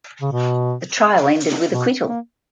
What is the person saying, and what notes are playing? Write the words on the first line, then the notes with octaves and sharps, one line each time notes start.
The trial ended with acquittal.
C#3
B2
B2
A#3